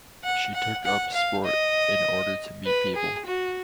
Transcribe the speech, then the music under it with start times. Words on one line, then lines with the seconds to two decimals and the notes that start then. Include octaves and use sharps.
She took up sport in order to meet people.
0.24 F#5
0.54 F#5
0.84 F#5
1.14 F5
1.44 D#5
2.65 B4
2.95 G#4
3.25 F#4